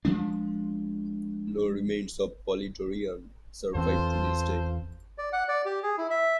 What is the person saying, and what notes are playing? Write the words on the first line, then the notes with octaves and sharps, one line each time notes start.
No remains of Polydorion survive to this day.
F3 F#3 G#3 D4
E2 E3 C4 F4 A4 C5
D5
F#5
D5
G4
G#4
E4
E5